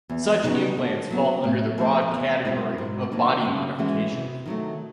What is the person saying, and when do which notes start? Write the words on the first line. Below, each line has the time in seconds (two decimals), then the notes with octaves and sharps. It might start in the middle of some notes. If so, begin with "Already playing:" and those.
Such implants fall under the broad category of body modification.
0.09 E2
0.43 C#3 F#3 B3 D#4
0.77 D3
1.10 F#3 B3
1.44 A2
1.78 F3 A3 C4
2.11 E2
2.45 B2 G#3 C4 E4
2.78 G#2
3.12 D#3 F#3 A#3 D4
3.45 C#3
3.79 E3 G#3 C#4 F#4
4.12 C3
4.46 D#3 F#3 A3